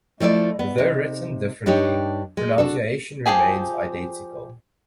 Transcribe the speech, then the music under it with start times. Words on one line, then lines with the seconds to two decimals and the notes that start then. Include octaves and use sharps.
Though written differently, pronunciation remains identical.
0.20 F3 A3 E4 C#5 D5
0.59 B3
0.78 C3 D#4
1.66 G2 D4 D#4 G4 C#5
2.37 G#3
2.58 D4 F#4 A4
3.26 F3 D4 G4 G#4 G#5